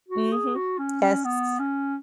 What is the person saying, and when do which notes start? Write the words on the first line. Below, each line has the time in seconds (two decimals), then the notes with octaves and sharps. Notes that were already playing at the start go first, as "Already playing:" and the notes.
Mhm. Yes.
0.08 F#4
0.32 G#4
0.55 F#4
0.78 C#4
1.02 C#4
1.24 B3
1.59 C#4